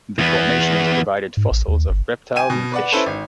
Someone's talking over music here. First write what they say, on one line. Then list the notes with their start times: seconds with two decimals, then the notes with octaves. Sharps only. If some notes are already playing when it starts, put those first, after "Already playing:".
The formation has provided fossils of reptiles and fish.
0.19 E2 B3
1.37 G#2
1.51 A1
1.68 D#2
1.89 G1
2.36 G5 G#5 D#7
2.50 B2
2.72 B4 D5 F#5
2.92 C#4 E4 A4 B4 C5
3.06 G#1